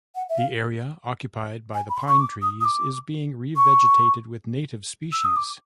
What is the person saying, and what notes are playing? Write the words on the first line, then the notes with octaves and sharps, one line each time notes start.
The area occupied by the pine trees is being revegetated with native species.
F#5
E5
F5
G#5
B5
C6
C#6
D6
D#6
D#6
D6
C#6
E6
D#6
D6